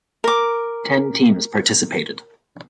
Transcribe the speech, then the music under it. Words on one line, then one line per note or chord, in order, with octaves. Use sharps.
Ten teams participated.
A#4 D6